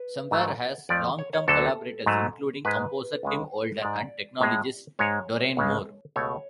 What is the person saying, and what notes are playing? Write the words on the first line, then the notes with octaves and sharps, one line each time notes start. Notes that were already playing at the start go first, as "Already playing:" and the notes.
Somewhere has long-term collaborators including composer Tim Olden and technologist Dorian Moore.
Already playing: B4
G#2 F#3 A3
F2 F3 A3 D5
C#5
C#5
D2 D3 F#3 A4
G#2 F#3 A3
G#2 G#3 B4
C#2 C#3 G#3
G#2 G#3 D5
A2 G#3
G#2 G#3 C#5
C#2 C#3 G#3
C#2 B2 A3 C#5